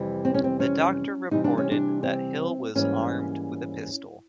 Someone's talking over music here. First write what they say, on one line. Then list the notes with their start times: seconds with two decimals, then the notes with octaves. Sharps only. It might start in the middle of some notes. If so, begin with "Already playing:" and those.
The doctor reported that Hill was armed with a pistol.
Already playing: F2 C3 E3 G3
0.25 C4
0.34 C#4
0.44 C4
0.60 C#4
1.31 C3 E3 G3 D#4
1.44 D4
1.58 C#4
1.71 D4
2.03 C4
2.75 G#2 E3 G3 A#3 C#4